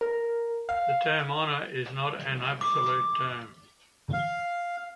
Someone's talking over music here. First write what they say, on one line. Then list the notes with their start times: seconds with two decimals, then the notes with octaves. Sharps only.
The term honor is not an absolute term.
0.01 A#4
0.69 F5
2.61 D6
4.13 F5